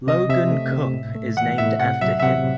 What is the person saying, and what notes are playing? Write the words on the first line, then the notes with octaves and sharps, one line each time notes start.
Logan Cup is named after him.
C3 D#5
C3 E5
A3
C3
A2
A3
E3 F#5
A2 E5
C3 F#5
F#3 E5
E5
C3 F#5